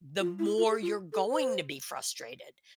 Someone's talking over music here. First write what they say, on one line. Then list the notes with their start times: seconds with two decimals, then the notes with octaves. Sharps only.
the more you're going to be frustrated,
0.20 F4
0.39 E4
0.58 F4
0.65 A4
0.70 G#4
0.82 F4
1.13 A4
1.31 C5